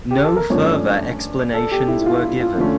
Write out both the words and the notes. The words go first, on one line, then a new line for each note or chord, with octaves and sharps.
No further explanations were given.
G4
A4
A#4
G2 F3 A3 C#4 C#5
A4
G4
E4
E4
F4
E4
F4
D3 A3 C#4 F4